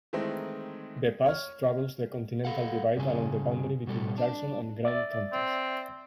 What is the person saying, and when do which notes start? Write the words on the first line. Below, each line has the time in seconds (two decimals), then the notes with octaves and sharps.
The pass straddles the continental divide along the boundary between Jackson and Grand counties.
0.13 D#3 E3 G#3 A3 C4 D#4
1.26 C#5 F6
2.45 A4 F5 F#5
2.97 G2 C#3 G#4
3.87 B2 G3 A4
4.18 D4
4.85 D5 E5 A6
5.33 C4